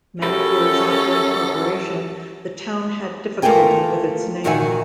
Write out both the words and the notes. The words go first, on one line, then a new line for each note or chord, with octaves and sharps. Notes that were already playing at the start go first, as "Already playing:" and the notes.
Many years after incorporation, the town had difficulty with its name.
F#2 C#4 G4 A4 A#4 B5
A3 A#3 F4 B4 G5 G#5
A#2 D#3 F#4 E5 F#5 G#5